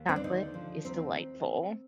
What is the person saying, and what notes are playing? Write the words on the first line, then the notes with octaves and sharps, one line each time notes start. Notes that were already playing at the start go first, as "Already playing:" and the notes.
Chocolate is delightful.
Already playing: D#2
C4
D4
D3 D#4
F3
D#2 C4